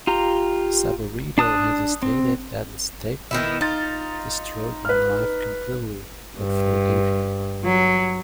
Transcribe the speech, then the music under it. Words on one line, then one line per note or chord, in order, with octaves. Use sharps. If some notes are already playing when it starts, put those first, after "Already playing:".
Saburido has stated that Stephey "destroyed my life completely," but forgave him.
F4 G4 A#5
D4 A5 D#6 F#6
C4
D#3 B3 E4
D#4 F4 A6
B4 F6
G2
F#3